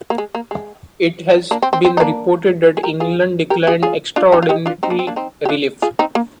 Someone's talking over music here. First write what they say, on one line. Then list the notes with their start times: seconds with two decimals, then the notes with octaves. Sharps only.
It has been reported that England declined extraordinary relief.
0.10 A#3
0.18 G#3
0.35 A#3
0.51 G#3
1.51 A#3 D4
1.62 C4
1.73 C4
1.85 C4
1.97 D#4
2.00 A#3 D4
2.77 G#4
2.83 G4 A#4
3.00 F4 G#4
3.50 G4 A#4
3.67 F4 G#4
3.83 F4 G#4
4.16 D4 F4
4.32 C4 D#4
4.42 F4
4.49 D#4 G4
4.66 D4 F4
4.83 C4 D#4
4.90 A#3 D4
4.99 C4
5.07 A#3 D4
5.16 C4 D#4
5.45 G4
5.49 D4 F4
5.82 F4 G#4
5.99 C4 D#4
6.15 A#3